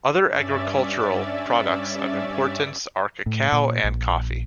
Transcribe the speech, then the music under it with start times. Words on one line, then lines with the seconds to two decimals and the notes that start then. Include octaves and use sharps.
Other agricultural products of importance are cacao and coffee.
0.24 G2 C#4 D5 E5 A6
3.26 A2
3.52 A#2
3.84 A#1